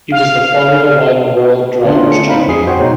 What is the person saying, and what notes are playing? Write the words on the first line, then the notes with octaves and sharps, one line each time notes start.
He was the Formula One World Drivers' Champion.
F5
D3 B3 C#4 D4 F4
A3 C#7
C4 D#4 F5 B5
F2 G#4 C7
F#4 C5 C#5 F#5 G5
B2 G#3 D#4